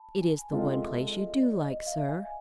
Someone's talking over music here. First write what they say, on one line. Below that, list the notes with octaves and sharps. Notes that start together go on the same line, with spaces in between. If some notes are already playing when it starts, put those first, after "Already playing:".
"It is the one place you do like, sir."
Already playing: A5 B5
G#5
G#3 C4 F4 A4 F5
E5
D#5
D5
D#5
F5
E5
F5
G#5